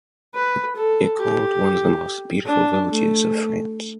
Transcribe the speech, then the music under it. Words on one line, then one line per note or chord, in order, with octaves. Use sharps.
It called one of the "most beautiful villages of France".
B4
A4
G4
D4
A3